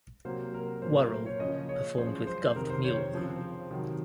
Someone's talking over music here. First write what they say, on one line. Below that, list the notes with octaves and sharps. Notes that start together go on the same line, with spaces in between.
Worrell performed with Gov't Mule.
C3 F#3 A#3 C5
A#4
A#2 F#3 A#3 C#4 C5
A#4
C5
C#5
C#3 F3 A#3 C#4 D#5
C#5
F#2 F3 G#3 C#4 C5
C5
F2 C3 D#3 A#4
C5
C#5
C5
C#3 F3 C4
C3 D#3 F#3